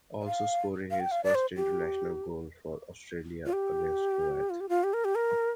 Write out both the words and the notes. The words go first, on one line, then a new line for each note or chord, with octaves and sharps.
Also scoring his first international goal for Australia against Kuwait.
D5
F5
F5
G5
F5
D5
C5
G4
F4
G4
F4
G4
F4
G4
A#4
G4
A#4